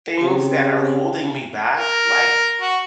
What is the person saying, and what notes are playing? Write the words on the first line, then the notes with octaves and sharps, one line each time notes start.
things that are holding me back, like,
C#3 C4 G4
A#4
F#4